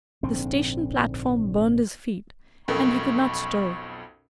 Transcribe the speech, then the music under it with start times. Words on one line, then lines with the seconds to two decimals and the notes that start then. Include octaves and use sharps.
The station platform burned his feet, and he could not stir.
0.23 A#1 G#2 D3 C4
2.68 B1 F2 C#4 A4 A#4 B5 C#6